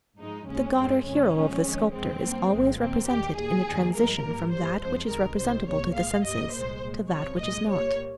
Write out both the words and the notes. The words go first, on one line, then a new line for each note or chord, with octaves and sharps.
The god or hero of the sculptor is always represented in a transition from that which is representable to the senses, to that which is not.
G#2 F3 G#3 D#4
D#2 C#3 G#3 C#4
G2 F3 G#3 C4
F2 C#3 G#3 C#4
A#2 F3 G#3
F2 D#3 G#3
F2 D#3 G#3 C4
G2 G3 A#3
C2 A#2 F3 G#3
D#2 D#3 A#3 C4
D#2 D#3 G3 G4
A#2 G3 A#3 G#4
F2 D#3 G3 A#3
G2 F3 G#3 A#4
G#2 G3 A#3
G2 G3 A#3 C5
F2 C3 F3 G#3 C5
C#2 C3 D#3 G#3 A#4
C2 C3 D#3 G3 C5
C2 C3 G3 A#3 C#5
A#2 G#3 F5
G2 G3 A#3 D#5
C2 A#2 G#3 C5
A#2 G#3
C2 C3 F3 C#5
A#2 G#3 D#5
A#2 G3 A#3 C#5